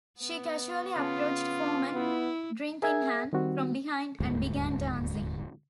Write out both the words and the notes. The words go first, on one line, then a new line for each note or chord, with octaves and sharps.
She casually approached Foreman, drink in hand, from behind and began dancing.
B3
C#3 C#4 F4
B3 E4
G#4 A#4 E5 G#5 G#6
D#3 G3 C4 F#4
D#1 D2 G#2